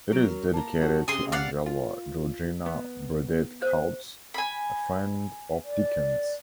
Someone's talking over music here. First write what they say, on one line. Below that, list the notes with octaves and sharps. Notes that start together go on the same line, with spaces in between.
It is dedicated to Angela Georgina Burdett-Coutts, a friend of Dickens.
F#3 C#4 D7
A#4
A#3 A#4 A5
D#4 F#4
C3 C#4 G#4 C6
D5 F5 F#5
F4
B3
C5
G#5 B5
D5